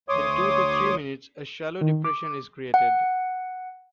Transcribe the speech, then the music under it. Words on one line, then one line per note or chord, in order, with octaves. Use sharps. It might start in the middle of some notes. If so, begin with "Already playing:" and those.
In two to three minutes a shallow depression is created.
D2 C#5 C6 D6 D#6
D#3
D6
F#5